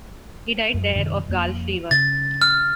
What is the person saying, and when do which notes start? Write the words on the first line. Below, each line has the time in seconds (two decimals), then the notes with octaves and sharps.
He died there of gall fever.
0.74 F#2
0.96 F#2 C3 D#3
1.29 F2 A#3
1.91 C#3 A6
2.42 F6